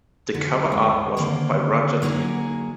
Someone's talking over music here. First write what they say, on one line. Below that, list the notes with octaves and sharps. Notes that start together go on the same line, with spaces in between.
The cover art was by Roger Dean.
D3 F#3
D2 G2 G#3
D3 D#3 A#3 C4
F#3 A#3 D#4 F#4 G#4